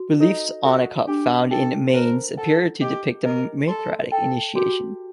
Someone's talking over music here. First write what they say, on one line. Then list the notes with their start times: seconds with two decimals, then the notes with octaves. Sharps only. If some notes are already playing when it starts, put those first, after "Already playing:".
Reliefs on a cup found in Mainz, appear to depict a Mithraic initiation.
Already playing: F#4
0.20 D#4 A4
0.64 F#4 A4
1.07 D4 G4
1.51 A4 G5
1.94 A#4 C5
2.37 A4 F#5
2.82 G4 D#5
3.25 A#4 D#5
3.68 A4 C6
4.12 A4 G5
4.55 F#4 G4